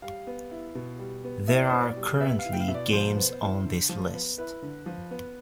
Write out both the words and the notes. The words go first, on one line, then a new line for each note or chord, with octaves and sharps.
There are currently games on this list.
G3 F5
B3
E4
B2
G3
B3
E4 E5
D5
B2 C5
D5
G3
B3 E5
F5
E4
G5
F5
B2 E5
D5
F3 C5
B3
E4
D3
F3
B3
E4 B4
D3
F3
B3